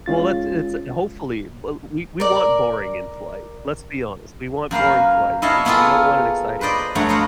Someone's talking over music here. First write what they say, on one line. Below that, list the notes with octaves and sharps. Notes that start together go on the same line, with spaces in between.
Well, that's it's hopefully, but we we want boring in flight. Let's be honest, we want boring flights, we we don't want an exciting flight.
G#3 C#4 F4 A6
A#4 D5
F#2 A#3 B4 F5
E4 C#5 D#5 F5 F#5 A5
A#3 B3 E4 F4 G#4 A4
B4 C5 D5 D#5
G2 F#3 A3 C#5 F#5
B4 C5 D#5 F5 F#5